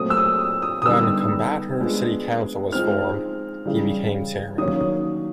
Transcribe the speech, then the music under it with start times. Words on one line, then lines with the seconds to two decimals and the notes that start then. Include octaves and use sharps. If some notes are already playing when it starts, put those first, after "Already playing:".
When Coimbatore City Council was formed, he became chairman.
Already playing: A#2 F#3 A3 C4 D#6
0.10 E6
0.17 D#6
0.62 D#6
0.82 D#6
0.86 D3 G3 B3 D#4 E6
1.79 F3 G#3 B3 D4
2.72 F3 G#3 C4 D#4 F6
3.66 C#3 E3 G3
4.58 D#3 F#3 A#3 C#4 D#6